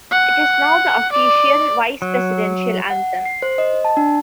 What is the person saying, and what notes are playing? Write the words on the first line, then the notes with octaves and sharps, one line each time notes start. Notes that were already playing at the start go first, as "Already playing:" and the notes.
It is now the official Vice Presidential anthem.
F#5
D5
F#3
F#5
C7
C5
D#5
A5
D4